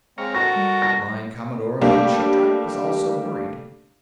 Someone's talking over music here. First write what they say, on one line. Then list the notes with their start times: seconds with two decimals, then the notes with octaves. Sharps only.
Line-Commodore Vann Shatrak was also worried.
0.18 G#3 C4 C#5 F5 A#5
0.35 F#4 A4 A#4 A#5 A#6
0.56 G3
0.82 A#6
1.81 G3 A3 A#3 D4 G4